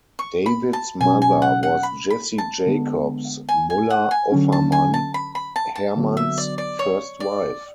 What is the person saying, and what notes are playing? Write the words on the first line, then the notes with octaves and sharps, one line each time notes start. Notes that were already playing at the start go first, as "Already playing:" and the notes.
David's mother was Jessie Jacobs Muller Offermann, Hermann's first wife.
C#6
B5
A5
B2 F#3 C#4 G#5
G#5
F#5
F#5
B5
B5
A5
D3 G#3 B3
G#5
G#5
F#5
G#5
D3 F#3 C#4
A5
G#5
A5
B5
B5
A5
A5
D3 F#3 B3 F#4
E5
D5
D5
C#5
D5